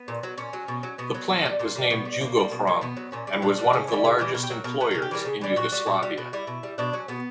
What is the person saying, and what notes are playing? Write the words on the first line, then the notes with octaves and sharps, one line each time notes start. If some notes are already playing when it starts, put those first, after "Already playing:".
The plant was named "Jugohrom", and was one of the largest employers in Yugoslavia.
Already playing: B3
A#2
F#3
A#2 C#4
F#3
B2
F#3
B2 B3
F#3
A#2
G3
A#2 A#3
G3 A#3
B2 B3
G3
B2 A#3
G3
B2
F#3
B2 B3
F#3
A#2 C#4
G3
E4
A#2 D4
G3
C#3 C#4
E3 G3
C#3 E4
E3 G3 G4
B2 A#4
G4
F#3 A#4
B2 A#4
F#3 B4
C#3 A#4
G4
E3 G3 A#4
C#3
E3 G3
A#2 F#4
G3
A#2
G3
B2 F#4
G3 E4
B2
G3
B2 D4
F#3 C#4
B2 B3